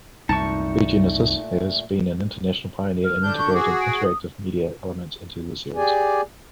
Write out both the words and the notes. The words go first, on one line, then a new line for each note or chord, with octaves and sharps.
"ReGenesis" has been an international pioneer in integrating interactive media elements into the series.
C2 F#2 A#2 A3 D#4 A5 C#6
F6
D3 D4 G6
C#6
F#4 G#4 D6
D7
D#6
G4 G#4 D5 G#5